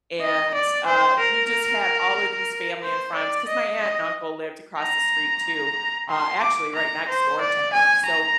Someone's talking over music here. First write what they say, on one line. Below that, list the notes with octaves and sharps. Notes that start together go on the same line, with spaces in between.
and, uh, we just had all of these family and friends, 'cause my aunt and uncle lived across the street too, uh, actually right next door to her, so
D#5
D5
C5
A#4
C5
D5
D#5
D#5
A#5
C6
D6
A#5
C5
D5
G#5
A#5